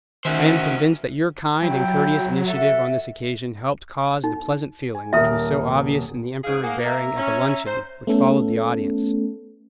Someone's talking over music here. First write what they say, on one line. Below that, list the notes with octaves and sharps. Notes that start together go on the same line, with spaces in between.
I am convinced that your kind and courteous initiative on this occasion helped cause the pleasant feeling which was so obvious in the Emperor's bearing at the luncheon which followed the audience.
D#3 C#4 F#4 C5 E5
F#3 G3 E4 G5
F#4 A4 E5 F#5
D#4
G#5
D#1 A#4 E5 D#6
G#2 G#4 F5
A#3 G#4 F#5
E5 A#5
C#4
C5
A3 B3 C#4 A4